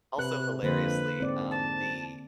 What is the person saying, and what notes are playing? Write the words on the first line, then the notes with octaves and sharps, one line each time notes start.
Also, hilariously, um, the
C3 B4 F#6
F2 D3 A#3 B4 C5
G#2 C4 D5
A5